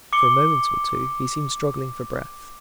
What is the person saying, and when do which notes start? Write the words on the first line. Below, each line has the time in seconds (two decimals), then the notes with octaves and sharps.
For a moment or two he seemed struggling for breath.
0.13 D6 C#7 G7